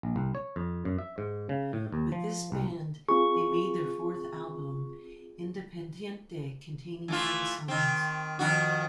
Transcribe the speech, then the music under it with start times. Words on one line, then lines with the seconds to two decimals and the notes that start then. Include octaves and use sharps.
With this band, they made their fourth album, "Independiente" containing ten songs.
0.03 A#1
0.16 C2
0.35 C#5
0.56 F2
0.85 F#2
0.99 E5
1.18 G#2
1.49 C#3
1.73 A2
1.92 D#2
2.12 F3
2.52 C2
3.09 C4 F4 G#4 C#6
7.08 E3 A3 F4
7.68 D#3 C4
8.39 F2 D#3 F#4